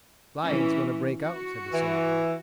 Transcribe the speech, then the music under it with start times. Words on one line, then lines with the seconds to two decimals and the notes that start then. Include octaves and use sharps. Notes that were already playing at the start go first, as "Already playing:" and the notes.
"Flying's going to break out," said the soldier.
0.43 E3 C#4
1.20 F#4
1.72 E3